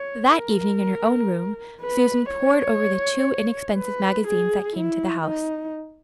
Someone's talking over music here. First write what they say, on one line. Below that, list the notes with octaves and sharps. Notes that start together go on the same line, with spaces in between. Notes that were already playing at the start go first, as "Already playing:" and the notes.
That evening, in her own room, Susan pored over the two inexpensive magazines that came to the house.
Already playing: C#5
A#4
B4
C#5
B4
G#4
E4
D#4